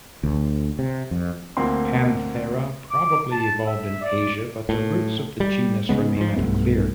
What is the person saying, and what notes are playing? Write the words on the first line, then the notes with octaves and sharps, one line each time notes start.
"Panthera" probably evolved in Asia, but the roots of the genus remain unclear.
D2
C3
F2
D2 A#3 C4 C6
D6
A5
E5
D5
A2
G3
C#3 G#3 B3
G#2 F3
B1 G2 A3 B3